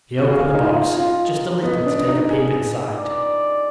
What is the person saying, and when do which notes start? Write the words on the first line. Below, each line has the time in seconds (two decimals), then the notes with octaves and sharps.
She opened the box just a little to take a peep inside.
0.19 F#4
0.29 G#4 F5
0.54 D#4
0.63 F4
0.97 F4
1.63 B3 D#5
1.86 D4
2.08 D#4
2.30 G#4
2.98 D5